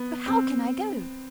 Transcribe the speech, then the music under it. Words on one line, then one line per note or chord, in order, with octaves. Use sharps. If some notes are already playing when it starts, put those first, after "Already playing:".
But how can I go?
Already playing: B3
C4